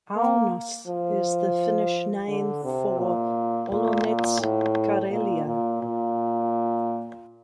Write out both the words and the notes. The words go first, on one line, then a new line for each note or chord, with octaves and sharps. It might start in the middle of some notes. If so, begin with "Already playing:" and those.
"Aunus" is the Finnish name for Olonets Karelia.
A#3
F3
D3
C3
A#2
A#2
A#2
A2
A#2
A#2
A#2